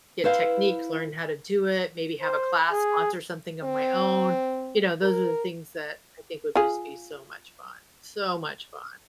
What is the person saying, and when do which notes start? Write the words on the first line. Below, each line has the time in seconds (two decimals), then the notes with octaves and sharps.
get techniques, learn how to do it, maybe have a class, sponsor something of my own. You know, those are the things that I think would just be so much fun, so much fun.
0.24 E4 B4 C5 F5
2.21 C5
2.71 G#4
3.64 C4
5.02 A#4
6.55 F4 G#4